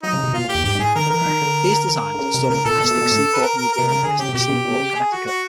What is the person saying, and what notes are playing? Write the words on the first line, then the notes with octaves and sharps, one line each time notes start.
These designs are stored at the Mystic Seaport Museum in Mystic Seaport, Connecticut.
F#3 D#4
C#3
C3
B2 F4
A#2
G4
E2
G#2 G4
G#2
A2 G#4
D#3 A#4
D#3
E3 A#4
E3
D#3
D3
A#4
D3
C#3
C3
C#3 A#4
A#2 A4
B2 A4
B2
B2
A2
B4
A#4
A#4
A#4
C3
C#3 A#4
D3 G#4
C#3 G4
C3
B2 G4
B2
B2
C#3
G#4
F#4
F#4